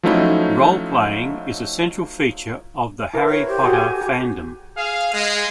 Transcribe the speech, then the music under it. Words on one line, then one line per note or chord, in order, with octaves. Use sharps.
Roleplaying is a central feature of the Harry Potter fandom.
F3 F#3 A3 C#4 D#4 E4
E4 A#4 B4
C#5
G4 C5
F#4 G#4 A4
G#5
F#4
G#4 F5
G#3